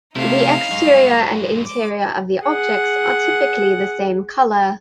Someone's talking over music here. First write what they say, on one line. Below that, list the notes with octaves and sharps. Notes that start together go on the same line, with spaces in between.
The exterior and interior of the objects are typically the same colour.
C3 A3 C#4 D#4 E4 F5
G2 F#3 G#3
D6
G#4 F#5